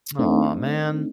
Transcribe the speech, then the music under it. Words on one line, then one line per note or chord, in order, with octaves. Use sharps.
Aw, man.
A3 C4 D4 D#4